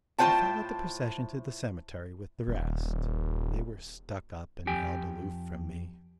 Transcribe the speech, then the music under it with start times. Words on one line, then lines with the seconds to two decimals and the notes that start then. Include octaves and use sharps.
I followed the procession to the cemetery with the rest; they were stuck-up and held aloof from me.
0.18 A2 F4 C5 G5 A5
2.48 D#1
4.67 F2 G4 G5 G#5